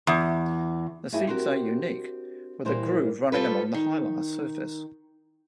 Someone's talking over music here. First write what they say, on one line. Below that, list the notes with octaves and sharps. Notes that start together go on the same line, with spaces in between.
The seeds are unique, with a groove running along the hilar surface.
E2
G2 D#4 E4 G#4 C#5
C4 D4 F#4 G4 A#4
A#2 E3 G3 A#3 C5
G3 F4 A4 B4
D#3